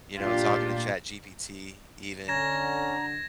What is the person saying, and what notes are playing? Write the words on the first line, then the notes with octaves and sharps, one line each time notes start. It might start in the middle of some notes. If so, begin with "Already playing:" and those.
you know, talking to ChatGPT even,
A#2 D4 F4 G4
D3 C#4 A#5 G#6 A#6 E7